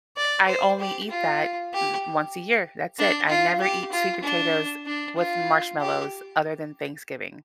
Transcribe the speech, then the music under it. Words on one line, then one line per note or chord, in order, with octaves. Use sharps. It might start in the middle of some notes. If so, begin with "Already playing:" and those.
eh I only eat that th once a year, that's it. I never eat sweet potatoes with marshmallows other than Thanksgiving.
D5
C5
G4
F4
G4
D4
F4
G4
F4
D4
D4
F4
G4